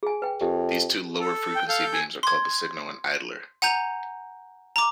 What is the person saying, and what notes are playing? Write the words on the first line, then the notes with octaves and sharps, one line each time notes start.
These two lower-frequency beams are called the "signal" and "idler".
G#4 G#5
B4 G5
F2 G4
A4
G5
A4 F5 G6
G#5
C6 G#6
F#5 G#5 A#5 G6 F7
A#5 D6